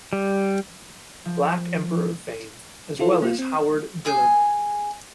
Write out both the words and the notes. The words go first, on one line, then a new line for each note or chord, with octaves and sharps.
Black Emperor fame, as well as Howard Bilerman.
G3
F3
E4 F4 A4 C5
A#3 F4
C4
G#4 G#5 G6